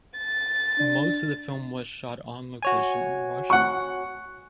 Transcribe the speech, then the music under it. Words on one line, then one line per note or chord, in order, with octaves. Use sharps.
Most of the film was shot on location in Russia.
A6
D4
F#4 C#5 G#5
F#5 C#6